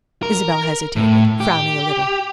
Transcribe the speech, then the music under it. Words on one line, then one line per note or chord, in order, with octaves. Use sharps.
Isabel hesitated, frowning a little.
A#4
A2
G4